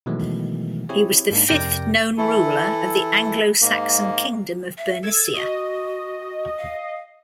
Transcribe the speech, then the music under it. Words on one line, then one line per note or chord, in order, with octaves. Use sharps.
He was the fifth known ruler of the Anglo-Saxon kingdom of Bernicia.
B2 D#3 E3 F#3 G#3 A3
C4 E4 G4 G#4 C#5
G#2 A#3 D4 D#4
F2 C3 A#4 D5 G5 A#6
E3 E4 A4
G#2 A#3
E5
A4 E6 G#6 A6
F#4 D#5
F5